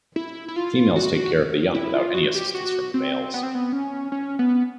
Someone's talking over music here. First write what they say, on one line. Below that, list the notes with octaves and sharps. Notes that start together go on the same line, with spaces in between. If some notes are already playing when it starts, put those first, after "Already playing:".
Females take care of the young without any assistance from the males.
E4
E4
F4
F#4
E4
F4
F#4
G4
F#4
C4
B3
C4
B3
C#4
C#4
B3